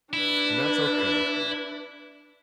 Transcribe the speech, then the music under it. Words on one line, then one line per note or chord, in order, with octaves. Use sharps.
and that's okay with me.
D4 E4 B4